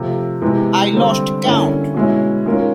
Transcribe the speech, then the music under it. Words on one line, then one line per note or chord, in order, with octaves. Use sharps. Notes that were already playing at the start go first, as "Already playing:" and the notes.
I lost count.
Already playing: C3 F3 A3
C3 E3 G#3 B3
D3 G3 C4
D3 G3 A#3 C#4 E4
B2 G#3 C#4 E4
D#3 G#3 C#4 F4 A#4